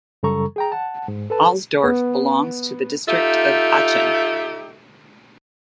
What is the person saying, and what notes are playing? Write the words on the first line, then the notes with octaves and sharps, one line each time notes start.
Alsdorf belongs to the district of Aachen.
F#2 C#3 G3 A4 A#5 C#6
G#4 G5 A#5
F#5 A5
G#2
A4 B4 A5
B3
D#4 F4 G4 A4 E5